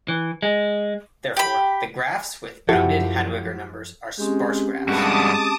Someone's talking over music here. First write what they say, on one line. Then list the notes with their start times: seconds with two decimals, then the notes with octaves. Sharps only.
Therefore, the graphs with bounded Hadwiger number are sparse graphs.
0.08 E3
0.42 G#3
1.37 G4 B5
2.69 F#2 F3 E4 F#4 G4 A4 F#5
4.18 G#3 C4 C#4 G4
4.88 G2 G#3 F#4 A5 D6 D#6